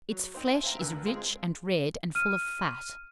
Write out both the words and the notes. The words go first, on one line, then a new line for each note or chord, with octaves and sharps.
Its flesh is rich and red, and full of fat.
F#3
C4 D#4 C5
E4 G#5
C5 E5 F5 G5 A#5
D2 D3 D4 A#4 B4 E6
G#3 C4 F4 G#4
F6 D#7